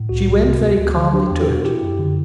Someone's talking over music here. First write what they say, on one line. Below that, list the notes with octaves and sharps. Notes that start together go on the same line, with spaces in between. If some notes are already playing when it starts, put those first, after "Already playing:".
She went very calmly to it.
Already playing: A2
C2 F#4
C2
C3
D2
D2
D3
D4 G4
G4
E2
A4
B2 F#4
E4 G4
F#2
D3